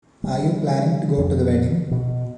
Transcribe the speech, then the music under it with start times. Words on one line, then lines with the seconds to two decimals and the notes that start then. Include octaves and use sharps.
Are you planning to go to the wedding?
0.24 G3
1.18 F2
1.91 B2